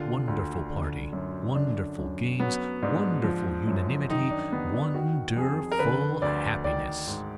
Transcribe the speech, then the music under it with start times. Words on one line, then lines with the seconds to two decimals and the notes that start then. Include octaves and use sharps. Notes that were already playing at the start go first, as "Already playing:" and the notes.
Wonderful party, wonderful games, wonderful unanimity, won-der-ful happiness!
Already playing: D#2 D3 F4
0.28 D2
0.70 D3
1.13 F#2
1.55 D3 D4
1.98 F#2
2.39 F#3 B3
2.82 G#2 D4
3.24 F3
3.67 F#2
4.09 D#3 D#4
4.31 D4
4.52 D#2 B3
4.74 D4
4.94 D#3 F#4
5.36 F2 G#4
5.72 A#4
5.79 D3 B4
6.22 D2 D5
6.64 D#3 D5
7.07 G#2